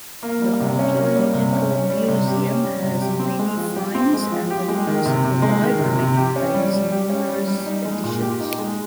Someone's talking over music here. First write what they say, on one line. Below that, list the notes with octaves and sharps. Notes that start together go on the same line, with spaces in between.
The Archaeological Museum has many finds and the Municipal Library contains numerous editions.
A#3
G3
C3
C#4
A#3
G3
C3
C#4
C#4
G3
C3
G4
C#4
G3
C3
G4
C4
G#3
F3
G4
C4
G#3
F3
G4
G#3
D#3
C3
C3
G#3
D#3
C3
C3
G4
C#4
G3
G3
G4
C#4
G3
G3
D#4
G#3
A#2
G4
D#4
G#3